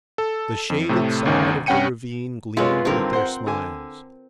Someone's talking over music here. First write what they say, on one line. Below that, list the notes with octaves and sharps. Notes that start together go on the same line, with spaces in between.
The shaded side of the ravine gleamed with their smiles.
A4
F2
A2 C3 A3
G1 D2 D#3 C#4
G2 C#4 F#5 G5 C#7 D#7
F#2 G#3 F4 B4 C#5
G2 D3 D#3 C4 A#4
C5 F#5
D3 G#5